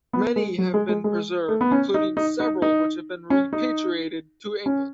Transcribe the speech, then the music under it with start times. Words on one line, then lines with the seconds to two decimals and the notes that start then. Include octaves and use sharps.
Many have been preserved, including several which have been repatriated to England.
0.13 B3
0.36 G#3
0.58 F#3
0.74 G#3
0.89 G#3
1.04 G#3
1.48 A3
1.61 B3
1.72 C#4
1.94 D#4
2.17 D#4
2.40 D#4
2.62 D#4
3.30 C#4
3.53 D#4
4.66 C#4